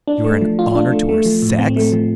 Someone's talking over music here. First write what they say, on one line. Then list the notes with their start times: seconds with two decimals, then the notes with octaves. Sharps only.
You are an honour to our sex!'
0.08 D4
0.24 A3
0.41 F3
0.59 F4
0.75 D4
0.92 A3
1.09 A3
1.25 F3
1.42 A2
1.59 C4
1.76 A3
1.92 F3